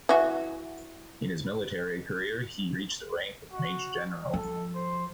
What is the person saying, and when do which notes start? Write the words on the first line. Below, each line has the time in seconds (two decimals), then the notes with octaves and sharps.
In his military career he reached a rank of major-general.
0.09 E3 F#4
3.53 F#4
4.34 F3 A4
4.75 C5